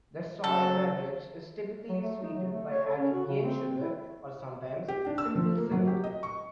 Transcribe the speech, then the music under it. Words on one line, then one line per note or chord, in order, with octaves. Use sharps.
The soy beverage is typically sweetened by adding cane sugar or, sometimes, simple syrup.
C#3 F#3 A4
F#3
A3
D#4
F#3
A3
C#5
A4
C#4
F#4
C#3
C4
E4
G4
D4
E6
F3
A#3
F#3
G4
D#5
C#6